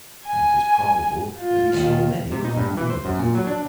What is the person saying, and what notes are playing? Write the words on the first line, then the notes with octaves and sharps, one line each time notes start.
And it is probable that he saw many wild doings.
G#5
F4
D#2 D#3
C3
D#4
G2
E3
C5
F#2
A#2
F#3
D4